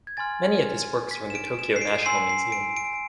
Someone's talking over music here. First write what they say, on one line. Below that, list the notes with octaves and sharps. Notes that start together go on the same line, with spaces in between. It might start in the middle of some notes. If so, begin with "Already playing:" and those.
Many of his works are in the Tokyo National Museum.
G#6
G#5 C6 F6 A6
B6
E7
D7
E7
C7
D7
G#5 C6 E6 C7
C7
D7
D7